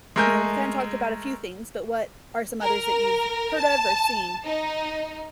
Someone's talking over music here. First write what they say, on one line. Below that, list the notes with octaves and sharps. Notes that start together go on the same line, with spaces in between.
you know, we've kind talked about a few things, but what are some others that you've heard of, or seen?
G#3 A3 A#4 G#5 G6
A#4
A5
D#4